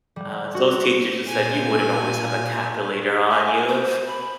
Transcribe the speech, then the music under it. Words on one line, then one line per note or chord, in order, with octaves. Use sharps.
Uh, those teachers just said, "You wouldn't always have a calculator on you."
G3
F#4
A#2 G#5
G#5
C5
B5